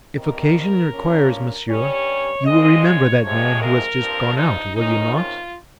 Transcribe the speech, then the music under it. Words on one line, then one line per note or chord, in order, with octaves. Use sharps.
"If occasion requires, monsieur, you will remember that man who has just gone out, will you not?"
F2 D#3 G3 C4 A#4
G2 F3 A#3 C#4
G2 G3 C#4 C#5
A#2 G#3 C4 D#5
C#5
F2 C3 F3 G#3 C#5
A#4
G2 F3 C4
D#4
C3 D#3 G#3 C#4 D#4
F4